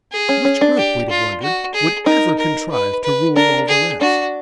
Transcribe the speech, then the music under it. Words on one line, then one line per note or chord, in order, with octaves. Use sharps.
Which group, we'd have wondered, would ever contrive to rule all the rest?
G#4
C#4
C#4
D4
G4
F4
F#4
G#4
D#4 A#4
A#4
B4
B4
D4 A#4
G#4
D4 F#4